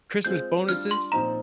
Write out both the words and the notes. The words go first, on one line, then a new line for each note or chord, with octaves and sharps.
Christmas bonuses.
G#3 C4 F4 G#4 G6
G3 D4 F4 F6
C6
A#2 F3 C4 D#4 A#5